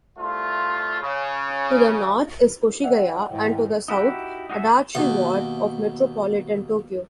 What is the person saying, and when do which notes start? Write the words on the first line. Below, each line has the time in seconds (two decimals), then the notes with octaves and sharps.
To the north is Koshigaya and to the south Adachi Ward of Metropolitan Tokyo.
0.18 C2 A3 F4
1.01 C#3
2.84 D5 E5 F#5 G5
3.30 G#2 E3
3.88 D#4 E4 F#4 G4
4.50 D#4 F#4 G#4 C#5 E5
4.95 D#2 B2